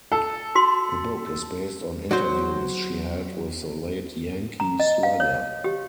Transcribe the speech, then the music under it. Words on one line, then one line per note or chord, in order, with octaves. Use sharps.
The book is based on interviews she had with the late Yankee slugger.
A4
F#4 C6
F#3 F#4 C5
A#5
D#5
F5
C#5
G4